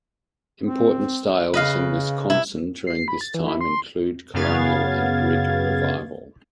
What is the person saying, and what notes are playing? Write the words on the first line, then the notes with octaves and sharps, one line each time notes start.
Important styles in Wisconsin during this time include colonial and Greek revival.
C4
C#3 B4 D#5 F5
C3 E4
C7
B5
A6
E3
E4
C6
F#2 C#3 B3 F5 G#6 A6